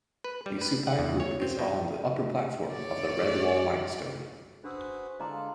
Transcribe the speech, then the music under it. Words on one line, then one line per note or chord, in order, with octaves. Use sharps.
The Supai Group is on the upper platform of the Redwall Limestone.
B4
G3
B4
F#5
E2
C#5
C4
B2
C#5 D5
D4 F#4 G#4 B4 C5 E6
D3 G#3 F4 A4 D5 D#5 A#5 D6